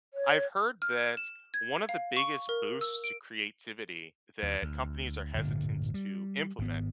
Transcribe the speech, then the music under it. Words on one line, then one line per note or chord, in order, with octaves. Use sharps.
I've heard that one of the biggest boosts to creativity that companies are hesitant to implement
C#5
F6
E7
G#6
F5
C#6
A#4
E6
D7
D#2
D2
D1 G1 A#2 D3
G3
G#1 B3